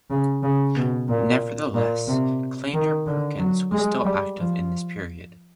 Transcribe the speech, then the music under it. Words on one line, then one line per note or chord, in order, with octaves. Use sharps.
Nevertheless, Kleiner Perkins was still active in this period.
C#3
C#3
B2
A#2
A#2
C3
D#3
D3
F#3
G#3
G3
F3